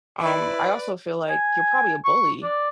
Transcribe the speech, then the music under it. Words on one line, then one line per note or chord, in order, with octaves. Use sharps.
Um, I also feel like you're probably a bully.
E4 B4 D5
G#5
C#6
D5